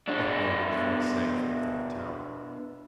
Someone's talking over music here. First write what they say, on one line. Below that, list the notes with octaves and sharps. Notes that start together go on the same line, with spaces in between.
Buck Mulligan's voice sang from within the tower.
B2 D4